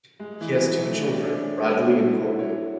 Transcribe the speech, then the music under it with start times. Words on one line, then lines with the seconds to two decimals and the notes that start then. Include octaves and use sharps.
He has two children, Bradley and Courtney.
0.20 G#3
0.41 E3
0.61 F#3
0.82 A3
0.98 D4
1.03 C#4
1.24 D4
2.07 E4
2.23 F#4
2.39 C#5